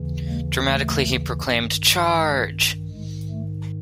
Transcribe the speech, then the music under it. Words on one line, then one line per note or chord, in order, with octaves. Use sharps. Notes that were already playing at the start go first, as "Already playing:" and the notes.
Dramatically he proclaimed, "Charge!".
Already playing: D#2 C#3 E3
G#3 A#3
A3
G2 D#3
G#3
G#2 D#3 G#3
A3